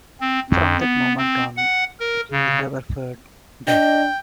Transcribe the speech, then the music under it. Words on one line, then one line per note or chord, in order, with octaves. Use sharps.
From that moment on he never feared death.
C4
F2
B3
C4
F#5
A#4
C#3
D4 D#5 G5